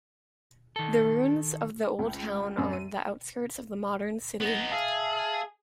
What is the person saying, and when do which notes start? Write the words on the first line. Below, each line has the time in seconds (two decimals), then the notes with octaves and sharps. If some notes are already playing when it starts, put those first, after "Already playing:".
The ruins of the old town are on the outskirts of the modern city.
0.76 D#3 A4
1.99 C#2
2.58 F#2
2.73 D#7
4.41 B3 D#4
4.72 G#4 E5 F5 A5